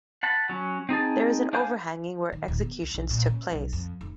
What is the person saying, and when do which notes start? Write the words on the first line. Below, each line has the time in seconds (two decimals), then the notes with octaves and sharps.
There is an overhanging where executions took place.
0.23 F#5 A5 B5
0.49 F#3 C#4
0.89 C4 D#4 G#4 A5
1.53 D4 C5 F5 G#5 G6
2.32 D#3
2.48 D1
2.61 B3
2.82 C2
2.94 B1
3.10 A#2
3.26 C#3
3.52 B1
3.73 F2
4.01 F1